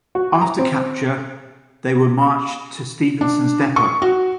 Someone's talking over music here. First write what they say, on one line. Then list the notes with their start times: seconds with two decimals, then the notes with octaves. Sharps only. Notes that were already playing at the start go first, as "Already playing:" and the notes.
After capture, they were marched to Stephensons Depot.
0.15 F#4
0.41 A#5
0.59 C4
3.21 D4
3.76 C#6
4.02 F#4